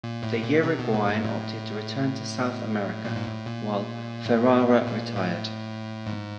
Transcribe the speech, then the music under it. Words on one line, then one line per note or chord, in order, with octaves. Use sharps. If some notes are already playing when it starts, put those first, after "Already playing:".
The Uruguayan opted to return to South America, while Ferrara retired.
A#2
A2
A#2
C3
B2
A#2
G#2
A2
A#2
G#2
A2
A#2
A2
A#2
A2
G#2